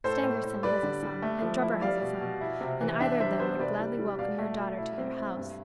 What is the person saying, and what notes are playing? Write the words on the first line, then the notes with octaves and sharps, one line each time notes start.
Stangerson has a son, and Drebber has a son, and either of them would gladly welcome your daughter to their house.
A2 A4 C5
A2
A2
G3 B4 D5
D3
G3
A3
F3
E4
G3 D5 F5
B2
B2
E4
C3
E3
D4 E5 G5
G3 C5 E5
B3 C5 E5
C3 B4 D5
G3
G3
B2 D5 F5
A3
B2
E4
C4
E4
G2